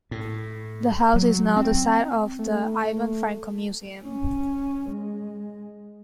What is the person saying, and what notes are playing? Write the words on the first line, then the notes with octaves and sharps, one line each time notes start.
The house is now the site of the Ivan Franko Museum.
A2
F#3
C4
A3
C#4
G#3